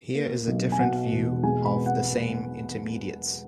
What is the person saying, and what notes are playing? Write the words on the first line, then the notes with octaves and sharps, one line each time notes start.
Here is a different view of the same intermediates.
A#3
B1
G#5
B2 F#5
E1
G#3 G#5
B5
B3
F#5